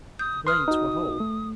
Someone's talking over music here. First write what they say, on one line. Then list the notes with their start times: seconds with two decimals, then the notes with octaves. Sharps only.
The blades were whole.
0.19 D#6 G6
0.47 B4 C6 D#6 F6
0.68 D#4 F#4
1.20 A3